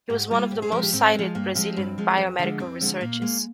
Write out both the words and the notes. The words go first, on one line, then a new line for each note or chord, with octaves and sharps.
He was one of the most cited Brazilian biomedical researchers.
G#2 G4
G3 A#3 F4
G#2 G4
G#4
F3 G#3 A#4
G4
G#2 C4
F3 G#3
G2 A#3
F3 G#3 C4
G2
F3 G#3
F2
D3 F3 G#3
F2 C4
D3 F3 G#3
A#2 A#3
G#3 A#3